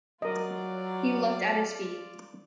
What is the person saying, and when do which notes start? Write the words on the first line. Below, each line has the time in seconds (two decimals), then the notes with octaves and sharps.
He looked at his feet.
0.22 F#3 F4 A#4 D5 D#5